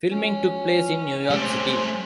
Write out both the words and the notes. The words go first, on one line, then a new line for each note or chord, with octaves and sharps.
Filming took place in New York City.
C#4
G#3 A3 C4 G4